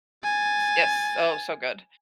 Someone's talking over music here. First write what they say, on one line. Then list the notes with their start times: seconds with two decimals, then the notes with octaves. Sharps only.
yes. Oh, so good.
0.24 G#5 A6